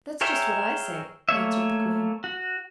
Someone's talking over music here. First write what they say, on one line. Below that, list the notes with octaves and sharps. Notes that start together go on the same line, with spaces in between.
"That's just what I say," answered the queen.
G#4 A#4 C#5 E5 G5
A3 A#3 C#5 E5
F#4